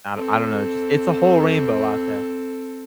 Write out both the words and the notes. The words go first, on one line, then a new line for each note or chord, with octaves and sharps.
I do I don't know. It's just it's a whole rainbow out there,
C4 A4